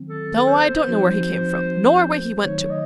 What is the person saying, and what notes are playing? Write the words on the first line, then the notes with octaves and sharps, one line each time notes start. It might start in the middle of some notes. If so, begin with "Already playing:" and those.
No, I don't know where he came from nor where he went to.
Already playing: D#3 F#3 C4
A4
C5
F3 C4 D#4 F#4
D#3 F#3 A3 D#4 C#5
D#5